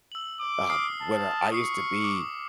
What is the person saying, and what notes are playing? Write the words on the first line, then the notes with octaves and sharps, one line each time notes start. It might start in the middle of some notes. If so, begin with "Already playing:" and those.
um, when I used to be
E6 F#7
D6
D#6 F6 C7
A5
C#6 D#6 C7 C#7
D6